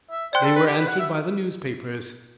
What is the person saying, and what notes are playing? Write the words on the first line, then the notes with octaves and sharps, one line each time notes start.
They were answered by the newspapers.
E5
C5 D5 G5 C6 F#6
A4
B4
G4
B4
F#5
E5